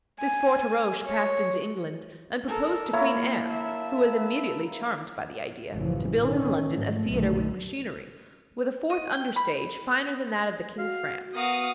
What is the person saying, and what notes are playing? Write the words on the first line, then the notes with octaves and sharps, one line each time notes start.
This Forteroche passed into England, and proposed to Queen Anne, who was immediately charmed by the idea, to build in London a theatre with machinery, with a fourth under-stage finer than that of the King of France.
G#5
C#5
A4 A#4
A#3 E4 A#4 C#5
E5 A5
A1 F#2 C#3 E3 F3
B2 D3 D#3 C#4
G#2 F3 A3
B1 F#2 A#2 D3 D#3 A3
D#5
G5
B5
F#4 F5
B3 F#4 A#4 F5 D#6